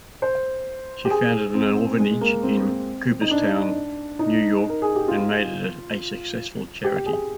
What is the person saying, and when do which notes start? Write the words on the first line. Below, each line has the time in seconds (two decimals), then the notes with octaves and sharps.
She founded an orphanage in Cooperstown, New York and made it a successful charity.
0.22 C5
1.05 G4
1.10 G#4
1.54 C4
1.99 G#3
2.21 A#3
2.43 C4
3.21 D#4
3.31 D4
4.19 D#4
4.69 A#4
4.82 G#4
4.96 G4
5.08 F4
6.84 G4
7.06 G#4